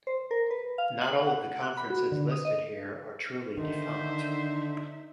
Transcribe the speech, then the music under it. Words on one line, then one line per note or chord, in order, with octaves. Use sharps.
Not all of the conferences listed here are truly defunct.
C5
A#4
B4
F5
F#7
F#5
F#6
B5
F#4
D3
D#6
D#5
D3 D#3 D#4 C5 E5